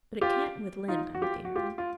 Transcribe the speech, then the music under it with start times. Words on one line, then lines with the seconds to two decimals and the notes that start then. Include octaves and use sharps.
But it can't with Lynde, I'm fearing.
0.21 F4 G4
0.88 D#4 F4
1.15 F#4
1.22 F4 G4
1.45 F#4
1.55 F4 G4
1.78 F4